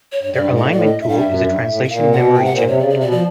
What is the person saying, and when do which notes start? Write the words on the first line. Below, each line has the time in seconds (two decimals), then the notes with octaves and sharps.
Their Alignment Tool is a translation memory generator.
0.12 C#5
0.23 G2 C#5
0.33 G2 D5
0.45 G#2
0.56 A2 D#5
0.71 A2 D5
0.86 D#5
1.00 G2 E5
1.09 F5
1.18 E5
1.23 F#2
1.45 G2
1.67 A2
1.84 E5
1.89 A#2 F5
2.12 B2 F#5
2.34 C3 G5
2.45 A#2 F#5
2.56 C5
2.63 C3 C#5
2.78 C#3 D5
2.90 C3 D5
3.01 B2 D5
3.12 F3 D5